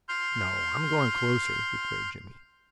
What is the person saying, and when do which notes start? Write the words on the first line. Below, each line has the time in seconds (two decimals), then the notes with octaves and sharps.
"No, I'm going closer," declared Jimmie.
0.09 C6 F6 G6